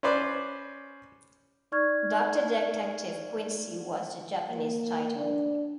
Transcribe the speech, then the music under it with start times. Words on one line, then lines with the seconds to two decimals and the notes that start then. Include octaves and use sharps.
Doctor Detective Quincy was the Japanese title.
0.03 C#4 B4 C5 D5
1.72 D#4 D5 C#6 F6 G#6
4.47 A#3
5.16 D4